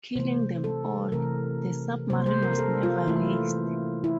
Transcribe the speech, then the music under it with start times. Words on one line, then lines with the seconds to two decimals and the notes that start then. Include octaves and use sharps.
Killing them all, the submarine was never raised.
0.16 C3 E3 A3 C5
0.64 A4
1.12 C3 E3 A3 A#4
2.10 C3 G3 A#3 C5
2.26 C5
2.43 A#4
2.53 A#4
2.59 A4
2.83 F4
3.07 E3 A3 E4
4.04 E4